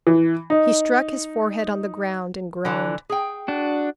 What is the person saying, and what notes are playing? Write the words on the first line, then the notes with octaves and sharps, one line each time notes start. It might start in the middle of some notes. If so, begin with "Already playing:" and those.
He struck his forehead on the ground and groaned.
E3
D#4
D3 E3
G#4 G5
D4 F#4